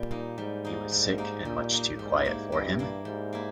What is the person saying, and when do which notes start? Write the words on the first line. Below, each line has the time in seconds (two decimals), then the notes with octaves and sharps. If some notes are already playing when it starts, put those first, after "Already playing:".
He was sick, and much too quiet for him.
Already playing: A#2 G3
0.11 A#3 D#4
0.38 G#2 G3
0.65 A#3 D#4
0.92 G3
1.18 A#3 D#4
1.45 A#2 G3
1.71 A#3 D#4
1.99 G#2 G3
2.25 A#3 E4
2.52 G2 G3
2.79 A#3 E4
3.05 G#2 G3
3.33 A#3 E4